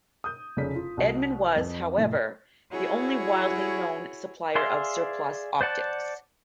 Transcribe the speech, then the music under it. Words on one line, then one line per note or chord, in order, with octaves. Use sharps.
Edmund was, however, the only widely known supplier of surplus optics.
D#6 G6
F1 C#3 C#4 D5 B6
F4
C2 F#4
F2
F1 A2 E5
E4 F#4 G#4 C#5
G#4 D5 E5 F5 C6
C5 D5 F#5 A5